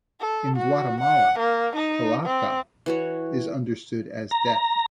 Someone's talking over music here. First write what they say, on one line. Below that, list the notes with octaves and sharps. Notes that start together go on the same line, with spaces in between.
In Guatemala, "calaca" is understood as "death".
A4
F#4
F#5
A#3
D#4
C4
E3 F#4 C#5
A#5